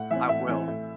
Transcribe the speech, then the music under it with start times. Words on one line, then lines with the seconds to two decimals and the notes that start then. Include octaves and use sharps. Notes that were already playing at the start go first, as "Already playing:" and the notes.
I will.
Already playing: A2 F#5
0.11 E3 C4 E5
0.29 A2 E5
0.49 E3 C4
0.68 A2